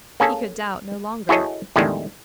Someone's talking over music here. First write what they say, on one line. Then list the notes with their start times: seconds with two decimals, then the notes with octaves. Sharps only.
He could doubt no longer.
0.20 A#3 C#4 G#4 A4
1.29 E4 F#4 G#4 A4 C#5 D#5
1.76 E2 A2 D3 D#3 G3 G#3